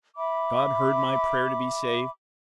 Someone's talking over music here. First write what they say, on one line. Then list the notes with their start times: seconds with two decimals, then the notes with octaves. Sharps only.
God heard my prayer to be saved.
0.17 E5 B5 D6